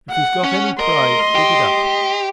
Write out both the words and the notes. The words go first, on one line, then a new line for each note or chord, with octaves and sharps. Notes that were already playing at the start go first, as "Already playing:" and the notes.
If he's got any pride, dig it up.
F#5
C#4
A#4 D#5 C6
G4